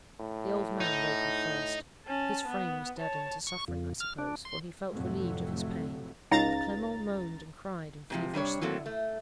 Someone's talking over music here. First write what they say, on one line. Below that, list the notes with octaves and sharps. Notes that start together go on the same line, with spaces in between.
The old man wakened first. His frame was deadened to suffering, I suppose, for he felt relieved of his pain; but Clement moaned and cried in feverish slumber.
A2
D#4
C#4 A5
B3
C#5 A5
C#6
F2
F6
D4
C6
F2 A2 C3 F#3 A3
C#2 D#4 F5 A#5 A6
G#2 C3 F3
C3 G3 D4 C#5
A2 F#3 A#3 C4 A4
A3